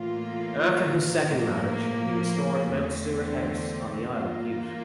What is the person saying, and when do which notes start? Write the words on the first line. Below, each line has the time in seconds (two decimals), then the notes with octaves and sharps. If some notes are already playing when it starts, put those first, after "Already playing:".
After his second marriage, he restored Mount Stuart House on the Isle of Bute.
Already playing: A2 E3 A#3 F4
1.27 A2 F3 A#3
2.70 E2 D3 A3 C4
4.14 E3 A#3 F4